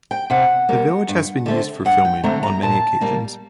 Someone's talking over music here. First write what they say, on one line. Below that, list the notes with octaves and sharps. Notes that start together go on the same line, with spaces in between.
The village has been used for filming on many occasions.
G5
C3 F#5
G3 A#3
G2
D3 A3 C4
G2 F#5
G5
D3 A3 C4 A#5
A#5
A#2 A5
G3 A#3